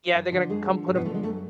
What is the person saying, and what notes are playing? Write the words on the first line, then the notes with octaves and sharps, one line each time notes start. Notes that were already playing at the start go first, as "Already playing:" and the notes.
Yeah, they're gonna come put him
F#2
D3 F3
F#2 G#3 G#4
D3 F3
F#2
B2 B3
D3 F3 A3
G#3
F#2 A3